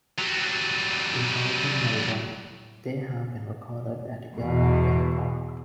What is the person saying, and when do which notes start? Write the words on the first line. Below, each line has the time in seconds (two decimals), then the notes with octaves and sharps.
In urban Melbourne, they have been recorded at Yarra Bend Park.
0.18 F#3 G3
4.35 E2 B2